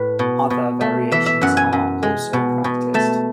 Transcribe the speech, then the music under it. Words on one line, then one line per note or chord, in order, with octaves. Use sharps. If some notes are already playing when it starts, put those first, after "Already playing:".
Other variations are also practiced.
Already playing: A2 B4
B2
B2
A3
E3 E5
E5
F#2 F#5
G#5
F#2
G#3
B2
B2
A3 A5